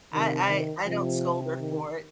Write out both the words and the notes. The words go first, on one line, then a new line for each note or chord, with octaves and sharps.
I I I don't scold her for it.
C3 D#3
D#3
C3 F3
D#3